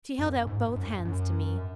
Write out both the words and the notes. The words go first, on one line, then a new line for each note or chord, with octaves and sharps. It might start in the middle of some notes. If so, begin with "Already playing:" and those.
She held out both hands to me.
F#2
G#2
F#2
F#2